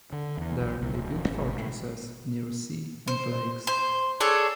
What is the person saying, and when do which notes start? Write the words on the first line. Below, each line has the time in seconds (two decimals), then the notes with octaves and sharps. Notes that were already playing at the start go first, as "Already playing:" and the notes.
There, they built fortresses near sea and lakes.
0.12 D3
0.37 E2
0.61 B1
0.82 C2
0.94 D1
1.29 G#1
1.58 A2
3.08 C5
3.67 C5
4.20 D4 G#4 A4 C#5